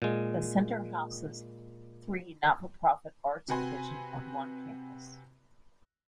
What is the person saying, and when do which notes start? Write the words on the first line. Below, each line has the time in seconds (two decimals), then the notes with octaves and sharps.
The center houses three not-for-profit arts divisions on one campus.
0.02 A#2 G#3
3.48 C3 C4 F#4 B4 G#5 C6